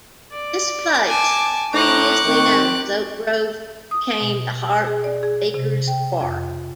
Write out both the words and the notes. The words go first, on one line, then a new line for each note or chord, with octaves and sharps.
This place, previously known as Oak Grove, became the heart of the Bakers' quarry.
D5
G#5 A5 D6
A2 C5 A#5 C#6 D6 F#6
D#3 C4
D#6
B2
E6
G#4
D5
G#4
C3
G5
F2